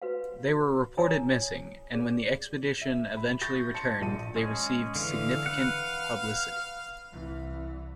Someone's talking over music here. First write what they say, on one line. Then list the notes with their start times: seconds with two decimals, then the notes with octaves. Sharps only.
They were reported missing and when the expedition eventually returned they received significant publicity.
0.02 F#4 B4 F5
0.97 E4 A#4 C#5 G#5 A#5 D#6
1.94 G#4 D5
2.82 E5
3.17 B5
3.42 C#6 G6 A6 A#6
3.74 A5 C6 C#7
4.01 A#1 D#7
4.36 G#3 C#4 G#4
4.96 D3 E3 F5
5.46 B4 F#5
7.12 C2 E3